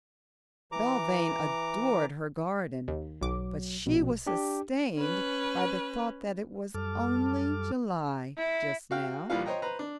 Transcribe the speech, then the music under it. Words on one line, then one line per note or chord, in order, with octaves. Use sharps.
Belvane adored her garden, but she was sustained by the thought that it was only July just now.
E3 A#5 D6
D#2
B1 F#3 D6
A#1 B2
D4 G4
C#4 B4
F#2 G3 A4 A5 D6 F6
E4
F#4 F5 G5
A#1 E3 G3 F4 F5
C5 C#5 D#5 G5 A#5
B4 C5 A#5
D4